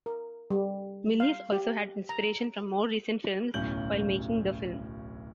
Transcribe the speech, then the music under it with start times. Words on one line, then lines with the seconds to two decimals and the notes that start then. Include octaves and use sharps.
Milius also had inspiration from more recent films while making the film.
0.06 A#4
0.50 G3
1.20 F5
1.52 G4
2.09 A#5
3.54 D1 B1 A2 C#4 G6 F#7